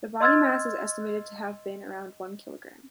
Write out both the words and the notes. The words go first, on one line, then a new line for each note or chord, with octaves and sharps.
The body mass is estimated to have been around one kilogram.
D#5 C6 E6 F6 G#6 A6